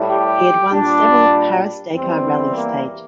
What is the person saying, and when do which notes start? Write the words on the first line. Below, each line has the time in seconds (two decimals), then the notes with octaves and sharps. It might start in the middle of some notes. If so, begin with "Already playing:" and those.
He had won several Paris Dakar Rally stages.
Already playing: A2 G3
0.10 G4
0.72 A#2 G3 D4
1.94 E2 E3 G3 C4
2.56 A#3